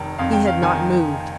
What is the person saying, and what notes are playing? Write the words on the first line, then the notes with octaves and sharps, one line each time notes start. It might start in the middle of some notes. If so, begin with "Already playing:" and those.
He had not moved.
Already playing: F1 D#3
F2 F5
G5
F5
D#3 G#5